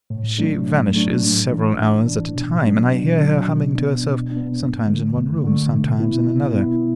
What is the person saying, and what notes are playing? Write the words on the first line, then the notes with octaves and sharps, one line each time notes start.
She vanishes several hours at a time, and I hear her humming to herself, sometimes in one room, sometimes in another.
A2
F#3 A3 D4
A2
F#3 A3 D4
A2
E3 D4
A2
E3 D4
B2
F#3 D4
B2
F#3 D4
B2
B3 D4
B2
D4
B3
F#2
D3 A3
F#2
D3 A3
B2
B3 E4
B2
B3 E4